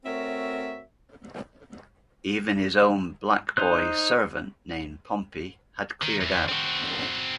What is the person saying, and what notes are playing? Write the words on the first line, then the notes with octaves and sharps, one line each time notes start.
Even his own "blackboy" servant named Pompey had cleared out.
A3 C4 F#4 A#4 C#5 E5
D#4 C5 F#6
D#3
E2 E3
C4 F#4